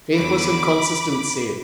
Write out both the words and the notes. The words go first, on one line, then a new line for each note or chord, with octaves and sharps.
Faithless inconsistency!
E2 D3 F#3 B5 D6